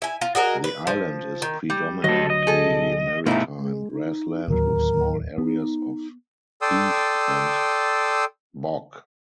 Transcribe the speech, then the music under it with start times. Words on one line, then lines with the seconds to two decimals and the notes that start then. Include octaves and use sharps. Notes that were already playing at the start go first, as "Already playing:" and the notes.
The island is predominantly maritime grassland with small areas of heath and bog.
0.02 E4 G#5
0.21 F4
0.35 F#4 G#4 A#4 D#5
0.64 B4
0.87 F3
1.42 D#3
1.70 G3
2.04 D2 F#3 A4 D#5
2.30 D#5
2.47 G#4 A4
3.26 G#2 C3 A3 A#3 D#4 E4
3.58 G#3
3.91 D#4
4.48 D1 D#2 F#3 A#4
5.38 B3 D#4
6.62 A4 D5 G5 C6 D#6 E6